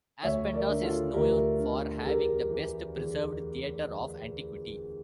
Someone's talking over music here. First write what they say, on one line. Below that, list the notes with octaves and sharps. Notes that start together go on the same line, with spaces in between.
Aspendos is known for having the best-preserved theatre of antiquity.
D2 C#5 E5
A#4 D5
D3
F4 A4
D2 G4 A#4
D3
A4
E2 G4 A#4
E3
E2